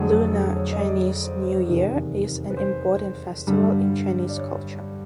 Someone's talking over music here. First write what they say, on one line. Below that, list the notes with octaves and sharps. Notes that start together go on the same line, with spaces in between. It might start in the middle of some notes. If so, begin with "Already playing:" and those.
Lunar Chinese New Year is an important festival in Chinese culture.
Already playing: F2 D3 F#3 A3 G#4
A4
G#4
C#5
D#5
D5
C#5
C5
C5
C#5
E2 C3 D#3
B4
C5
G2 D3 G3
D5
C#5